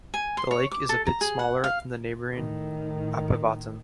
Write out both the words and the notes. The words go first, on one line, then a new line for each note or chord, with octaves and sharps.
The lake is a bit smaller than the neighbouring Apavatn.
G#5
C6
C#5
D6
A4
A#5
G#4
F#5
F5
A2 D#3